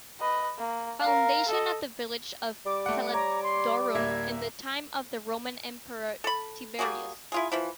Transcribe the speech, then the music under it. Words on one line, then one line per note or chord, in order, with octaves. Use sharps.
Foundation of the village of "Salodurum" in the time of the roman emperor Tiberius.
B4 D#5
A#3
A#4 F5
A4 D#5
G3 D6
A3 F#5
C#5 A#5
C6
D1 A#3 E5 G#6
A4 B5
G3 A#3 F#4 G#4
E4 F4 G#4
E3 F3 E4